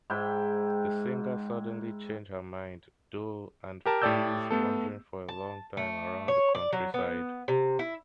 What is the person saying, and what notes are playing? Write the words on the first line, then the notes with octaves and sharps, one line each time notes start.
The singer suddenly change her mind, though, and flees wandering for a long time around the countryside.
G#2 E4 G5
G4 A#4 A5
A2 G4 A4 D5 E6 G6
A3 B3 A4
A5
A3
C#5
D5
F#3
B3
C3
E4